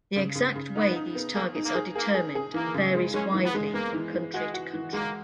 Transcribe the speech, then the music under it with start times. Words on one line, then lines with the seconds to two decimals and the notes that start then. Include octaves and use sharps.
The exact way these targets are determined varies widely from country to country.
0.16 C#3
0.35 C#3
0.56 C#3
0.76 B3 D#4
0.95 D#4
1.15 B3
1.35 A#3 G#4
1.55 D#4
1.66 A#3
1.75 G#4
1.95 A#3 G#4
2.15 G#4
2.35 G#4
2.54 E3 A#3
2.74 C#3
2.95 G#3
3.14 G#3 C#4
3.34 E3
3.44 B3
3.55 G#3
3.74 A#3 B3
3.94 E3
4.14 E3
4.34 G#3 F#4
4.54 F#4
4.73 E3
4.93 G#3 A#3